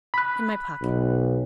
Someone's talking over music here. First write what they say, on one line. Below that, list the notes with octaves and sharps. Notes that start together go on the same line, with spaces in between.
"In my pocket."
B5 F#6
B1